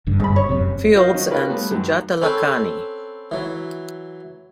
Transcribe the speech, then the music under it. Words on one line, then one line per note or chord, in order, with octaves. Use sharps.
Fields and Sujata Lakhani.
F#1 G2 D3
G#2 B5
C#5
F1 F#2 C3
F4 F#4 A#4 C5 D#5
D#3 F#3 C#4
C#4 F4 G4 A#4 B4
G3 A3 B3
F#2 D#3
C4 C#4 A4 B4
E3 F#3